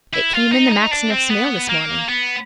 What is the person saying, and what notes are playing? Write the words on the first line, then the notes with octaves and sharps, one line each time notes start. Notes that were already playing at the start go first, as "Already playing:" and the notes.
'It came in the Maxineffs' mail this morning.
E4
F4
D#4
D#4
D4
C4
B3
A#3
B3